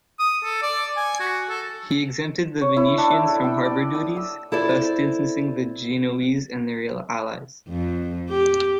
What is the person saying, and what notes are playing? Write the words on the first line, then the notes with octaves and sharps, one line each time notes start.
He exempted the Venetians from harbour duties, thus distancing the Genoese and their allies.
D#6
A4
D5
G#5
F#4
A4
C#5
E4
D4
E5
A4
G5
D5
D#6
E6
E4 A4 C5 D5
F2
G4